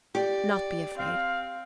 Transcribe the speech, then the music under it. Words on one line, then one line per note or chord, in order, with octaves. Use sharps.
Not be afraid.
G4 D5
C4 F5